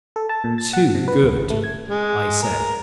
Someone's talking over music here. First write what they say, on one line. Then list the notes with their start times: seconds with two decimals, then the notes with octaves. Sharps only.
"Too good," I said.
0.16 A4
0.29 A5
0.44 A#2
0.58 A6
0.73 F#5
0.95 C3
1.08 B4
1.23 D2
1.36 G#1
1.50 A3
1.64 G#6
1.88 G#3
2.43 A#4